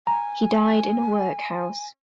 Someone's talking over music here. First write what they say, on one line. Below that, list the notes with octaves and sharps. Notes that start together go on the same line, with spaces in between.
He died in a workhouse.
G#5 A#5